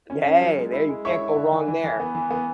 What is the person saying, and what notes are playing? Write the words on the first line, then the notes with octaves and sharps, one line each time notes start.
Hey. There you can't go wrong there.
C#4
C#4
F#3
G#3
E4
G#3
E4 C#5 E5
E4
D3
E3
E3
E3
B3
E3
B3